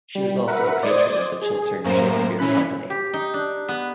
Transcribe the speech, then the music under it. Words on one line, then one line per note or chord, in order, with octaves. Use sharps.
She was also a patron of the Chiltern Shakespeare Company.
G3
A#4 B4 E5 F#5
C5 D5 D#5 D#6 G#6 A6
G#4
F#2 A2 A#3 C5 A#5 E7
A#2 E3 C#4 B5 F#6
G4
D#4
D4
B3